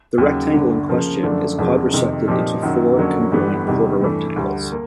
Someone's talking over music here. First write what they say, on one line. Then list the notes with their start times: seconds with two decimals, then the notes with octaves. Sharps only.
The rectangle in question is quadrisected into four, congruent quarter rectangles.
0.18 D#2 C#3 F#3
0.54 G1 G2 D3
0.88 C#3 F3 A#3
1.23 F#2 D3 F3 A3 D4
1.58 E1 E2 C#3 F3 G#3
1.93 F2 C3 D#3
2.28 A#2 F3 A#3 D#4 G4
2.62 F#2 D#3 F#3
2.97 F2 D3 F#3 A#3 C#4
3.32 G1 G2 E3 G3 B3
3.67 E2 C3 D#3 G3
4.01 G2 E3 A3
4.36 D2 D3 G3
4.71 A#3